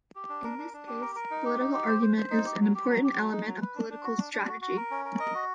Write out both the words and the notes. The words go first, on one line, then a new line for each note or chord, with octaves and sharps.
In this case, political argument is an important element of political strategy.
G4
D4
A#4
D4
D4
G4
A#4
A#4
D#4
G4
D#4
G4
C5
C5
C5
D#4
G4
F#3
G4
F#3
G4
F#3
D#4
F#3
B4
D4
D4
F#4
D4
D4
F#4
F#4
A#4
C#4
A#4
D#5
F#4